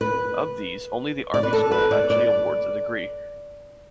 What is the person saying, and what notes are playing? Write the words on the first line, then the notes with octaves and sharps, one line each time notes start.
Of these, only the Army school actually awards a degree.
B4
D5
B4
A4
B4
D5
D5